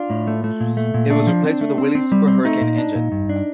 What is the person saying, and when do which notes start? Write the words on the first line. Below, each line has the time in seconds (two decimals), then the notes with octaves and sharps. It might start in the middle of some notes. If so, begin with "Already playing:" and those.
It was replaced with the Willys Super Hurricane engine.
Already playing: D4 F4
0.10 A2
0.27 A3
0.44 A3
0.60 A#2
0.77 A3
0.94 A#2
1.10 A3 D4
1.27 F3
1.44 C4
1.61 A3
1.78 C4
1.95 C4
2.12 G3
2.28 C4
2.45 A3 D#4
2.61 A#2
2.78 D4
2.95 A#2
3.12 G2
3.29 D4